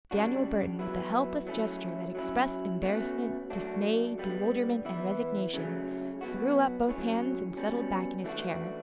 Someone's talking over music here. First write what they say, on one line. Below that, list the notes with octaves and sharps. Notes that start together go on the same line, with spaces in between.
Daniel Burton, with a helpless gesture that expressed embarrassment, dismay, bewilderment, and resignation, threw up both hands and settled back in his chair.
C#3 G3 D4 F#4
F#3 B3 E4
F#3 A3 C#4 E4
F#3 C#4 E4
B2 A3 C#4 F#4
F#3 A3 D4 F#4
D3 G3 B3
E3 B3 E4
C#3 F#3 A3 C#4
B2 F#3 B3 F#4
A2 F#3 C#4
B2 G3 C#4
E3 A3 D4 F#4